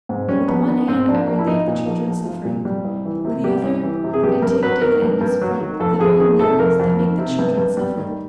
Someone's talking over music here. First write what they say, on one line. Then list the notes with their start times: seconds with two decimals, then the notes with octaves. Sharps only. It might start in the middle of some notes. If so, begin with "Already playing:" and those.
With one hand I relieve the children's suffering; with the other I take dividends from the very mills that make the children suffer.
0.09 G#2
0.28 G3 C#4
0.48 A#1 B3
0.68 D#3 B3
0.88 G#2 C4
1.08 A#1 D4
1.27 A#1
1.39 E4
1.46 F3 D#4
1.67 A#2
1.86 A#1
2.07 A#1
2.25 F3
2.45 A#2
2.65 G3
2.85 C2
3.05 E3
3.25 C3
3.44 G3 G4
3.63 C2
3.83 E3
4.04 C3
4.14 G#4
4.23 G2 G4
4.42 G2 A#4
4.63 F#3 B4
4.82 D#3 A#4
5.02 G2
5.21 G2
5.41 F#3
5.61 D#3
5.80 F2 A4
5.94 A4
6.00 F2 G#4
6.20 D#3 G#4
6.39 C3 A4
6.59 F2 A#4
6.80 F2
6.99 D#3
7.18 C3
7.39 G2
7.58 G2
7.77 G3
7.97 D#3